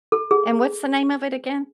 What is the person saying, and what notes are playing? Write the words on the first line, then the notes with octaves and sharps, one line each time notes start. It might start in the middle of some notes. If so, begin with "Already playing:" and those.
And what's the name of it again?
A4
G#4